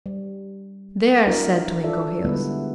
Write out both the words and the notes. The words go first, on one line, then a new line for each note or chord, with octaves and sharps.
"There!" said Twinkleheels.
G3
D4 E4 F#4 A#4
F4 A4 D5 E5
D3 G3 G#3 B3 E4 B4